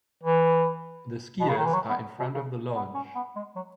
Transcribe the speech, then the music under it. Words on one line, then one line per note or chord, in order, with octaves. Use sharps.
The skiers are in front of the lodge.
E3
B2
C#3
D#3
E3
F#3
B3
B2
C#3
B3
C#4
B3
G#3
F#3